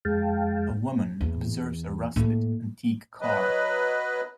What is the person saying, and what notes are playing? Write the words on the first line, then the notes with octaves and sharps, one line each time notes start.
A woman observes a rusted antique car.
F2 G#3 F5 G5 A5
E2
A2 A#3
F#3 B4 D#5